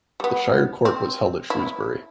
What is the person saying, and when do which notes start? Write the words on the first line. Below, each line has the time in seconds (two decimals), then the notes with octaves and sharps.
The shire court was held at Shrewsbury.
0.20 G3 B3
0.85 C4
1.50 E4